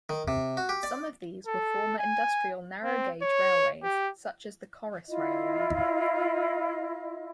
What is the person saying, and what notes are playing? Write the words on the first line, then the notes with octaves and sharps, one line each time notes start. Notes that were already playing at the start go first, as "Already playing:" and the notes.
Some of these were former industrial narrow gauge railways, such as the Corris Railway.
D#3
C3
F#4
G4
D5
A4
G#5
C4
C#5
G4
E4 F4 D#5